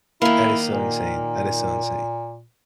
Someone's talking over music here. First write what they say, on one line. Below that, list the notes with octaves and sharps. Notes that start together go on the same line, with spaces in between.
That is so insane. That is so insane.
D#3 A#3 E4
A#2